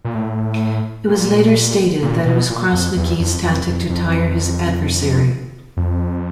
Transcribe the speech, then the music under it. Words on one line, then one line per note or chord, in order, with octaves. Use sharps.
It was later stated that it was Krasniqi's tactic to tire his adversary.
A#2
A2
A#2
A#2
B2
A#2
F2
E2
F2
F2
F2
F2
F2